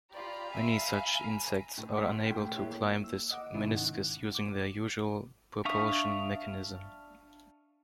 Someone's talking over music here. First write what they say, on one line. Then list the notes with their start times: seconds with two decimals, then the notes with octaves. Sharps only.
Many such insects are unable to climb this meniscus using their usual propulsion mechanism.
0.13 F4 G4 D5 A#5 B5
0.51 E5 F5 G#5
1.77 A2 A3
1.95 F#5 C6 F6 B6
2.11 A3
2.26 A2 G5
2.55 A#3 E4 G#4 C#5
3.04 E6
3.31 D#5 F#5 D6
3.54 G#2 C3 D#3 C#4 E4
3.77 F#5
4.35 D6
5.65 D4 E5 F5 C#6 D#6